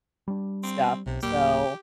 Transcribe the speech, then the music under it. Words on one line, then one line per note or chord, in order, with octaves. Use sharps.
stuff so,
G3 D4
C4
B1 C3
D1 G1 A#3 G4